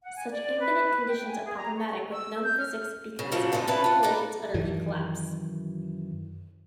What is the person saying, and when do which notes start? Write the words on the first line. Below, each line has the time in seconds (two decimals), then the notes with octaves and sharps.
Such infinite conditions are problematic with known physics because key calculations utterly collapse.
0.02 F#5
0.14 G#5
0.30 D5
0.59 B4
1.08 G5
1.26 G#5
1.44 G#4
1.56 A#5
1.76 C#6
2.10 E6
2.43 G6
2.57 F6
3.19 C#3
3.32 F2 A#2 C#3 F3 F#3
3.52 G2 D3 G#3 D#4 D#5
3.67 C#3 E4 B4 A5
3.84 F4 F#5
4.03 D#4 A#4 B4 D5
4.54 F#2 D#3 E3